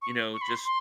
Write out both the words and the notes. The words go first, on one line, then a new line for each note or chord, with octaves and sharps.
you know, just
C#6
C#6
B5
C6
C6